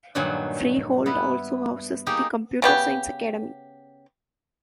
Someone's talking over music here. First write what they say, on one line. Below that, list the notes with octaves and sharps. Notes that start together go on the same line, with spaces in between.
Freehold also houses the Computer Science Academy.
G2 A#2 D#3 F#3 G#5
B3 E4
A#3 D#4 G4 G#4
C#3 B3 G4